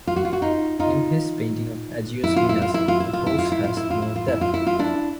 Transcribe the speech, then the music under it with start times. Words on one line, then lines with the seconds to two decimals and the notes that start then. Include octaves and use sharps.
In his painting of Agios Minas the horse has more depth.
0.07 F4
0.16 F#4
0.25 F4
0.33 F#4
0.42 D#4 F4
0.80 D#4 F4
2.24 E4
2.36 F4
2.49 E4
2.62 F4
2.74 E4
2.88 F4
3.00 E4
3.13 F4
3.26 E4
3.39 F4
3.52 E4
3.64 F4
3.77 E4
3.90 F4
4.02 E4
4.16 F4
4.28 E4
4.41 F4
4.54 E4
4.67 F4
4.79 D4 E4